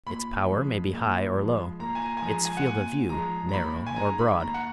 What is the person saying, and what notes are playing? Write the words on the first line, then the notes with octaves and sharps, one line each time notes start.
Its power may be high or low; its field of view narrow or broad.
A#2 B5
F3 G#3
A#2
F3 G#3
A#2 A#5
G#5
A#5
G#5
F3 G#3 A#5
G#5
F#5
A#2 G#5
F3 G#3 A#5
A#5
D#2 B5
G#5
D#3 G#3 A#5
B5
D#2 A#5
F#5